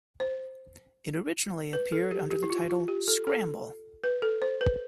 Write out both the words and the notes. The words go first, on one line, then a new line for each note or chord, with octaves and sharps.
It originally appeared under the title "Scramble".
C5
B4
A4
G4
G4
E4
F4
F4
G4
A4
A4
B4
A4
C5
B4